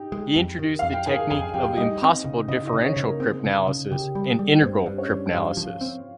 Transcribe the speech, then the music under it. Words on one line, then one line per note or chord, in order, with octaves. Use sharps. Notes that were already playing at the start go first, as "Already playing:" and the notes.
He introduced the technique of impossible differential cryptanalysis and integral cryptanalysis.
Already playing: D#4 G4
G#3
F2
D#3
F2 F5
G5
D#3 G#4 G#5
F2 G#4 G#5
F2 G4 G5
G3 D#4 D#5
C4
C#3
C#3 D#4 D#5
D#4 D#5
C#3
C#4 C#5
C#3
A#3 A#4
C4 G#4
C#3
C#3
C#3 G4
G3
G#4
G3
G2 C4 C5
G2
C#4 C#5
G2
G2 F4 F5
F3
C4